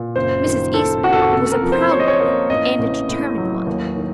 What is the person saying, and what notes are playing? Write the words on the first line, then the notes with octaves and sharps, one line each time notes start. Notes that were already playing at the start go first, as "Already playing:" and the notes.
Mrs. Eastman was a proud woman and a determined one.
Already playing: A#2
F#1 C5
D#3
D#3 A4
F#1 F#4
A4
F#4
C3 A4
A#4
F3
C5
F3 C#5
D#5
C#5
A#3 D#5
A1 D#5
A1
A2
F#3
D#2
D#3